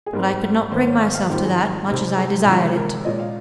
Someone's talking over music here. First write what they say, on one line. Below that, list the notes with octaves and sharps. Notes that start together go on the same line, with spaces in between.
But I could not bring myself to that, much as I desired it.
G#4
G#2 G3 C4 A#4
G#2 D#3 A#3 C5
C#5
F5
F5
G#2 D#3 G3 C4 F4 G4
G#4
C3 G3 C4 D#4
G#4
C3 D#3 G#3 C#4 F4
A#4
A#2 G#3 C#4 F4 D#5
F5